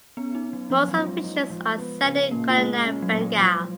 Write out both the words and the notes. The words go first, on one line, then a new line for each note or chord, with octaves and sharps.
Most of the fictions are set in colonial Bengal.
B3 C#4
D#4
C#4
F#3
F3 C#4
F#3
F3
G#3
D#4
F3
B3
C#3
A#2 A#3
F4
G#3
C#4
F#3
A#2
G#3
F3 F#3